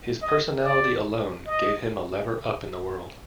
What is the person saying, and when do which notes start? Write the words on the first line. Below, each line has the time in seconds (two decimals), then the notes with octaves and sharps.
His personality alone gave him a lever up in the world.
0.22 D#5
0.64 D5
1.47 D#5